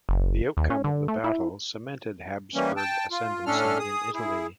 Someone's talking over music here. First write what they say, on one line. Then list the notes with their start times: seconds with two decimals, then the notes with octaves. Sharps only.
The outcome of the battle cemented Habsburg ascendancy in Italy.
0.09 F#1
0.57 D#2
0.70 C#4
0.84 D3
1.08 A3
1.24 E4
2.55 E3 G3 A#3 C#4
2.77 G5 A5
3.11 F4
3.46 A2 C#4 D4 A4 F6
3.79 G#4 D#6
4.14 E4 G#4